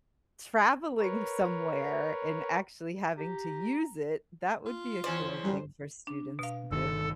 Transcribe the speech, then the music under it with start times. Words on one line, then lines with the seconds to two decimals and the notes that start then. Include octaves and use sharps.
traveling somewhere and actually having to use it, that would be a cool thing for students to do.
1.00 A#4 B4 C#5
3.18 G4 A#5
4.66 F4
5.04 E2 C#4 C5 D5
5.43 F#2 G3
6.07 D4
6.39 B2 F5
6.71 G1 D#3 A4